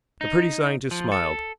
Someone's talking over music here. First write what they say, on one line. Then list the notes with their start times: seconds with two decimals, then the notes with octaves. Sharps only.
The pretty scientist smiled.
0.21 D#4
0.91 F3
1.12 A4